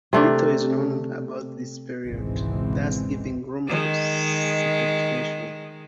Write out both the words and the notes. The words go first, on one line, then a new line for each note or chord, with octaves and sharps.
Little is known about this period, thus giving room for speculation.
C3 A3 D4
G#1 C#2 B2 E3 G#3 C4
D#3 G#3